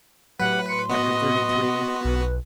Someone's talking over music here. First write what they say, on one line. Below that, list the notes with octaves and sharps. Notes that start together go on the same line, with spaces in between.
Chapter XXXIII.
A2 F#3 G4 B4 F#5
C6 C#7
B3 F#4 D#5
B1 B4